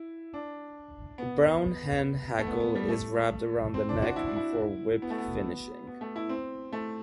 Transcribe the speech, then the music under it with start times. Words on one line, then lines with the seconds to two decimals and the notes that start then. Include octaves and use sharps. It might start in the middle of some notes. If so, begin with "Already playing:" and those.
A brown hen hackle is wrapped around the neck before whip finishing.
Already playing: E4
0.34 D4
1.18 B3
2.39 A3
2.47 B3
2.61 B3
2.75 G3
2.88 A3
3.74 C4
3.89 D4
4.02 F#4
4.16 E4
4.27 D4
4.36 E4
5.02 B3
5.10 A3
5.18 B3
5.87 B3
6.01 A3
6.16 E4
6.29 C4
6.72 A3